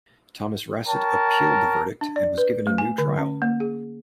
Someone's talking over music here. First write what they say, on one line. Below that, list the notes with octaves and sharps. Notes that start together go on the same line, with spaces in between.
Thomas-Rasset appealed the verdict and was given a new trial.
A#4 C#5 G5 A5
D4
D5
B4
A3
G#5
D3
C#4
A#3
G#4